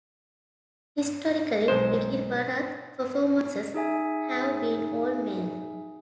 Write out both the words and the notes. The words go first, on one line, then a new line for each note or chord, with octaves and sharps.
Historically, dikir barat performances have been all-male.
B1 G#3 C5
D#4 G#4 E5 G#5